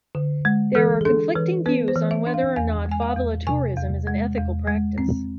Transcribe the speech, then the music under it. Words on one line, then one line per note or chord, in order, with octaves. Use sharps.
There are conflicting views on whether or not favela tourism is an ethical practice.
D3
G#3
E3 A4
G#4
D4 A4
E3 B4
B3 B4
C5
E3
E5
D4
F5
E2 G#5
G#3
G#5
F5
E2
C3 G#5
E2
G#3
E2
G#3
C4